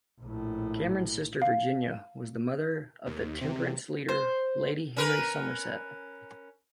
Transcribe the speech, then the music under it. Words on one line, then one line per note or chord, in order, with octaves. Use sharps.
Cameron's sister Virginia was the mother of the temperance leader Lady Henry Somerset.
A#1 A2
F5
D#2
C3
C5
C#4 A#4 B4